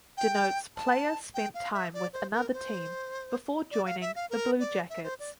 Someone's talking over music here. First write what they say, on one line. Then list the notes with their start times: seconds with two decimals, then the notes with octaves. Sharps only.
Denotes player spent time with another team before joining the Blue Jackets.
0.17 G5
0.76 A5
1.34 G5
1.54 F5
1.74 E5
1.94 D5
2.13 C5
2.33 A#4
2.53 C5
3.71 D5
3.86 F5
4.01 E5
4.16 F5
4.30 A#4
4.60 D5
4.90 E5
5.04 C5
5.20 D5